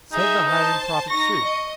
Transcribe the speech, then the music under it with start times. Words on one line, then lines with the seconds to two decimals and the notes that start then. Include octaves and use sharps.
'Said the Highland prophet sooth?
0.13 D#4 G#4 E5
0.49 C5 A5
1.11 D#4 C#6 A#6
1.44 D#5